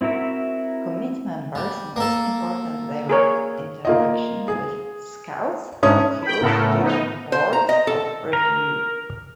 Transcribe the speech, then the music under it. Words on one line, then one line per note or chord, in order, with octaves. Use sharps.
Committee members most important direct interaction with Scouts occurs during boards of review.
C4 E4 F#4 A#4 E5
G3
A#3 A4
G#4 A#4 C#5
A#3 F4 D#5
G#4
G#2 C#4 D4 D#6
G5 B5
A2 C#3 A3 B3 A4 A#4
B3 D#4
C5
A#5
D#5
A4
A#4